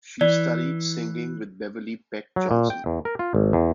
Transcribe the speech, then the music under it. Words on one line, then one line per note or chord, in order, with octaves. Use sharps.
She studied singing with Beverley Peck Johnson.
E3 D5
F#3
A#2
G5
E2
A#4
F4
G#1
E2